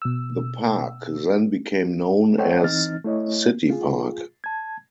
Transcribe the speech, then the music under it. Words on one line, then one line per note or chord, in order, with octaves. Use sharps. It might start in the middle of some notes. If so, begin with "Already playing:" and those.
The park then became known as City Park.
B2 E6
A4 C5 C#5 D#5 F#5 G5
E3 C4 D#4 D#5 F6 A6
A3 E4 C#5 D#5
F4 G#4
A5 G#6